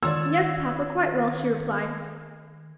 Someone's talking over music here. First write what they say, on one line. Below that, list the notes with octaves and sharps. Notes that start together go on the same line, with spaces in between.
"Yes, papa, quite well," she replied.
D#3 F4 C#5 D5 E6 G#6